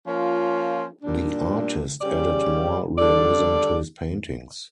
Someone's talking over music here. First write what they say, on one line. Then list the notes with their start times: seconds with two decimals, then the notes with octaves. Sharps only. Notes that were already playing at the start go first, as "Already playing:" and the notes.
The artist added more realism to his paintings.
0.07 F3 A#3 C#4 F4
1.03 A#2 G3 D4
2.01 C#3 G3 C#4 G4 D5
2.98 D3 G3 D4 A4 D5